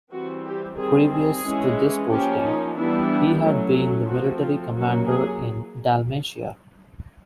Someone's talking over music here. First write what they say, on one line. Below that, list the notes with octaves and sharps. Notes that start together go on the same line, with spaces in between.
Previous to this posting, he had been the military commander in Dalmatia.
E3 G3 C4 F#4
G4
D#3 G3 C4 G#4
G#4
E3 G#3 C#4
F3 A#3 C#4 G4
D#4
E3 G3 B3 D4 E4
F#3 A3 C#4
F3 A3 C4 F#4
F4
F#3 A#3 C#4 F#4
G#4